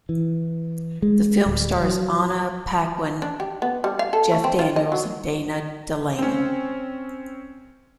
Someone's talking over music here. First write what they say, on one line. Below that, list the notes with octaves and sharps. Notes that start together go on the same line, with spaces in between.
The film stars Anna Paquin, Jeff Daniels and Dana Delany.
E3
G#3
D1
F#3
D4
G4
B3
G3
F5
A4
A3
C4
F4
D#5
F#3
C4 C#4